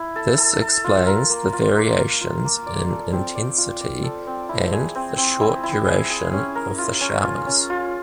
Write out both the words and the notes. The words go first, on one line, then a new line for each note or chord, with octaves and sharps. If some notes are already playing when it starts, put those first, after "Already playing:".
This explains the variations in intensity and the short duration of the showers.
Already playing: E4
A4
A4
A4
F4
A#4
A#3
F4
A#3
A#4
F4
A#3
D5
A4
C4
D5
F4
D5
A4
C4
E4
G#4
C4
C4
E4
E4
G#4
G#4
C#4
A#4
F4
C#4
F4
C#4
F4